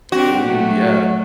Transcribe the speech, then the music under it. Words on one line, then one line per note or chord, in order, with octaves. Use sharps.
Oh, yeah.
C4 D4 F#4 G4
F#3 A3